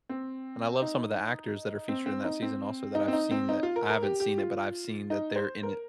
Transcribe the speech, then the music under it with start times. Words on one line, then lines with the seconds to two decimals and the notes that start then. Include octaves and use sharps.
and I love some of the actors that are featured in that season also that I've seen that I haven't seen it, but I've seen that they're in it.
0.09 C4
0.82 D#4
1.89 C4
2.06 C4
2.24 D#4
2.42 C4
2.95 D#4
3.08 C4
3.13 D#4
3.31 C4
3.49 D#4
3.63 F4
3.76 A#4
3.89 A#4
4.03 G4
4.20 G4
4.38 F4
5.10 D#4
5.36 C5
5.63 A#4